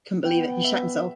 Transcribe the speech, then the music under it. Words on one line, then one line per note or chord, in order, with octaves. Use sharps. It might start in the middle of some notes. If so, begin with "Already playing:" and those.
I couldn't believe it, he shat himself!
B3 G5
E5